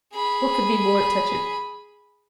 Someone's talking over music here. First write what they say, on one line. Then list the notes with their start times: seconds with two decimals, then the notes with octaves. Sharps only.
What could be more touching?
0.13 G#4 B5